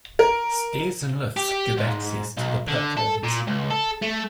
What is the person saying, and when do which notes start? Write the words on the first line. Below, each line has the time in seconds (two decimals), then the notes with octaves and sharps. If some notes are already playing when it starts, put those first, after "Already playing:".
Stairs and lifts give access to the platforms.
0.19 A#4
1.36 G4
1.78 G#2
2.37 B1
2.68 D3
2.98 A4
3.24 A#2
3.47 C#2
3.70 A4
4.02 A3